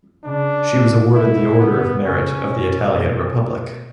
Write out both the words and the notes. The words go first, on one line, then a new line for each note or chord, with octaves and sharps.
She was awarded the Order of Merit of the Italian Republic.
C#3 D4
B2 E4
C#3 B3
C#3 C#4
B2